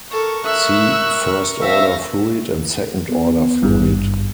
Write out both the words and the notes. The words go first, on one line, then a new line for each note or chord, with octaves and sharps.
See first-order fluid and second-order fluid.
A4 A#4 C#6
E5 E6 F#6
C4 E5 F5 A#6
B3
G#1 G2